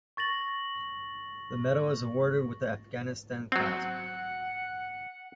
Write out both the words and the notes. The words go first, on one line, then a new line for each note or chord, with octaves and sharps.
The medal is awarded with the "Afghanistan" clasp.
C#6 A6 A#6 F#7
F#3 C4 F#5